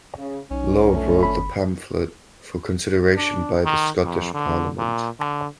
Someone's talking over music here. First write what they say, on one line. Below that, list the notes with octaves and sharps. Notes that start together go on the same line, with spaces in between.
Law wrote the pamphlet for consideration by the Scottish Parliament.
C#3
B1 C#4 D#4
D3 F3 A3
G1 B5
D4
D#3
F2
D3
A#2
D3